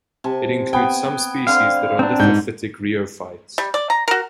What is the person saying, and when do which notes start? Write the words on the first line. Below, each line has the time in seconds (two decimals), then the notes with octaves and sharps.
It includes some species that are lithophytic rheophytes.
0.24 C3 G#5 A5
0.73 B3 G5 G#5
1.47 D3 C4 F5
1.99 C4 D4 A#5
2.19 G#2 G6
3.58 G3
3.74 D5
3.90 A#5
4.08 F#4 A#4